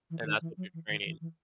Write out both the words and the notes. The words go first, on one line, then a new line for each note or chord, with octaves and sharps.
and that's what you're training.
E3
E3
D#3
E3
F#3
E3
D#3
E3
E3